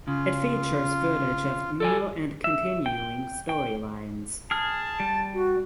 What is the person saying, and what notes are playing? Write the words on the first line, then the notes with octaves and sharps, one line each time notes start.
It features footage of new and continuing storylines.
C#3 F4
A4 D5 G#5
E5
G5
G5
G#4 A5 F6
G3
F#4